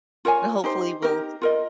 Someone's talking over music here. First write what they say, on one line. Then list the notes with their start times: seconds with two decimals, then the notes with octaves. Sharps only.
and, hopefully, we'll
0.25 F4 A#4 C#5 G#5
0.64 D#4 G4 C5
1.02 D#4 G4 A#4
1.42 F4 A#4 D#5